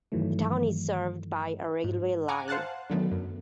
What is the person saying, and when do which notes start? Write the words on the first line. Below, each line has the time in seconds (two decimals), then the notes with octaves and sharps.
The town is served by a railway line.
0.12 G2 D#3 E3 F#3 A3
1.84 G#2
2.28 F#5 G#5 A#5 D6
2.48 C5 F5 F#5 A5 F#6
2.90 D3 D#3 F#3 A3 B3
3.12 F#2